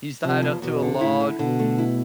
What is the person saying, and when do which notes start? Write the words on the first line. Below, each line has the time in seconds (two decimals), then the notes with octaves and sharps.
he's tied up to a log,
0.23 C3 F3
0.42 E2
0.62 E2 B2
0.82 D3
1.01 A2 E4
1.20 D3
1.39 B2 D3
1.59 A3
1.78 E4